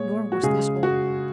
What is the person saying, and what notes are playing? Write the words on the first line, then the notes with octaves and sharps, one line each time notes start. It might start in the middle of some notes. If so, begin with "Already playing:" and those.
Nor was this all.
Already playing: A#2 G#3 C#5
F#4
C#3 G#3 G#4
F#4